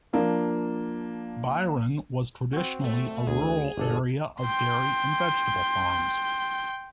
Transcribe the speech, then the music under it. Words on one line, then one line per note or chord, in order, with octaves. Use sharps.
Byron was traditionally a rural area of dairy and vegetable farms.
F3 A#3 D4
C4 F#4
A3
D2 G#4
G1 D4 A4
G5 C6